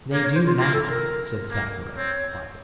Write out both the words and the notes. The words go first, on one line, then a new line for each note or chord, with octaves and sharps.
"They do now," said Thackeray, quietly.
A#3 C#5
C#5
C5
F4
A#3 F4
A4
A#4
A#3
C4 C#5